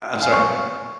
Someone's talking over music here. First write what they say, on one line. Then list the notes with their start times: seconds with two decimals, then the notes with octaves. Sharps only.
I'm sorry?
0.21 F5 G#5
0.32 C#6